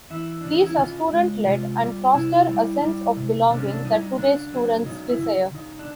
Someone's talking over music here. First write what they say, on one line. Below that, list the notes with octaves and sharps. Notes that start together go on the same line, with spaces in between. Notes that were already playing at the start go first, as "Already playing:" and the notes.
These are student-led and foster a sense of belonging that today's students desire.
E3 E4
C#3 D4
D#4
E4
C#3 F4
G#3
C3 F4
G3
C3 E4
G3
G3
C3
C3 D4
C#4
D4
G3 D#4
E4
D#4
C#3 D4
F#3
C#3 D#4
E4
C#3
C#3 D#4
D4